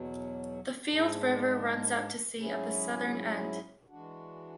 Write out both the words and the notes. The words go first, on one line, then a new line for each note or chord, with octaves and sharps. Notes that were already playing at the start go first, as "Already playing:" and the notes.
The Field River runs out to sea at the southern end.
Already playing: E2 B2 F#3
G#2 G#3 D4
G#2 F#3 C#4 E4 G#4
E3 G#3 D4 F#4